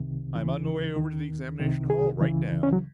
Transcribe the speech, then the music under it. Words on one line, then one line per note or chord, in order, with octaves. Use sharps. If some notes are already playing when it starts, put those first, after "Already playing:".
"I'm on my way over to the examination hall right now."
Already playing: C2 C3 D#3
D#2 C#3 E3
D#2 D#3
C2 C3 D#3
G#4
C#2 C#3 E3
C#4
F#3